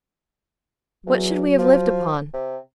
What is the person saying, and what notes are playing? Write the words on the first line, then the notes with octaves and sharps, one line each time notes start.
What should we have lived upon?
E2 F#3
F3
C3